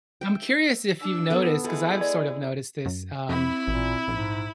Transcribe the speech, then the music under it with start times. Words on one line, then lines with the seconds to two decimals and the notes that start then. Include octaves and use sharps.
I'm curious if you've noticed- 'cause I've sort of noticed this- um,
0.21 E5 G5
1.00 D4 E6
1.30 B3 A4
1.64 G#3 E4 A4
2.01 D5
2.86 F#2
3.29 F2 C4 E4 B5
3.68 A1 A#2
4.08 A#1 G#2